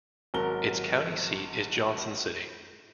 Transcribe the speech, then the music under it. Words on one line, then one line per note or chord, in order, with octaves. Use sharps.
Its county seat is Johnson City.
G#1 F#3 A#4 A5 G7